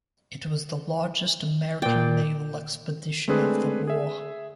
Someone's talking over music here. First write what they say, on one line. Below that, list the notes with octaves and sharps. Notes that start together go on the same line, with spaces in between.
It was the largest American naval expedition of the war.
A#2 D5 G5
G#3 A3 C4 D4 G#4 B4
G#4 E5